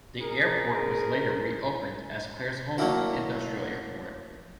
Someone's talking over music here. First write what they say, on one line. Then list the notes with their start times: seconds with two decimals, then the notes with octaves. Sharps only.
The airport was later reopened as Claresholm Industrial Airport.
0.21 G#4 A#4
2.78 F#3 A3 A#3 E4 F#4